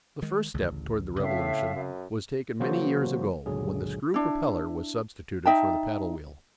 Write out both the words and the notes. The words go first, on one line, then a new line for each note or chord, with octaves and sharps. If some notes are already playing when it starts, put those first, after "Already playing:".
The first step towards the revolution was taken many years ago when the screw propeller was substituted for the paddle-wheel.
D#3 G#3
A1 D2 C#3
A2 C#3 C4 E5 F5
F#2
C#3 E3 F#3 A#3 F#4 C5
G1 C#2 A#2 D3 F#3 G#4
D4 E4
D#4 E5 G5 A5